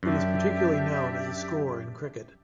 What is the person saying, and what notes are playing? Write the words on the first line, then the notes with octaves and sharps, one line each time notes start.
It is particularly known as a score in cricket.
F#2 D4 G4 E5